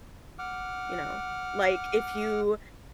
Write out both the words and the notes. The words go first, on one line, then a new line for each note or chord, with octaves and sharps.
you know? Like, if you,
F#5 D6 F6